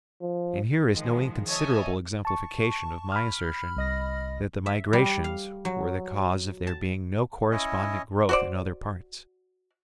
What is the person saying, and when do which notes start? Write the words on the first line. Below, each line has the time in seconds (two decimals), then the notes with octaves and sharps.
And here is no inconsiderable exemplification of my assertion that the migrations were the cause of there being no correspondent growth in other parts.
0.22 F3
0.92 D#3 F3 G#3
1.47 C#5 D#5 E5 G#5 A5
2.25 A5 C#6
3.12 B5 F6
3.76 C2 D#5 A#6
4.66 E5
4.93 G3
5.24 F5
5.65 F#3
6.67 A5
7.51 C#4 E4 C#5 D#5
8.29 F#4 C5 D5